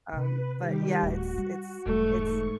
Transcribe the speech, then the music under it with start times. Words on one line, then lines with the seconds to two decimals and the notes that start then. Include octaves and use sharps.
um, but yeah, it's it's it's
0.13 C3 C#4 B4
0.57 D#3 G3 G4
1.03 D1 F#4
1.38 G3
1.86 E1 G#2 G3 A3 C#6